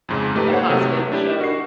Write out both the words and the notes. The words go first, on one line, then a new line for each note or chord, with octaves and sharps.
a positive show.
F2 G#2 C#3
F3 A3 D#4 G4 B4
A#3 A4 C5 C#5 F#5
C3 F#3 A3
D4 E4 G4
F#4 C7